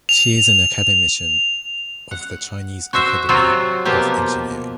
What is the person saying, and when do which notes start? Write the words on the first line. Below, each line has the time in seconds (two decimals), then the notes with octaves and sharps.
She is an academician of the Chinese Academy of Engineering.
0.09 F7
2.11 F#5
2.93 F#4 C5 E5
3.29 C3 F#3 C4 F4 F#4
3.85 B2 F3 A#3 G4